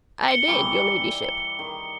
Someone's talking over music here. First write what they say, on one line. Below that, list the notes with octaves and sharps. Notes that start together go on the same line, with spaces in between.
"I did, your ladyship."
C#7 G7
D#3 E3 G3
D5 E5
D#3